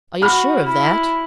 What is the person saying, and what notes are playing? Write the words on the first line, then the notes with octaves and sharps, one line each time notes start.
"Are you sure of that?"
F#4 B5 F6
E4